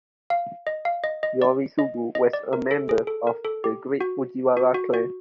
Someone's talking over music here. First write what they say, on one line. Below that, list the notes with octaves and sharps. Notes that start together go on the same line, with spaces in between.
Yoritsugu was a member of the great Fujiwara clan.
F5
D#5
F5
D#5
D#5
D5
D#5
D#5
D5
A#4
A4
G#4
A4
A#4
A4
G4
F#4
F#4
F#4
F#4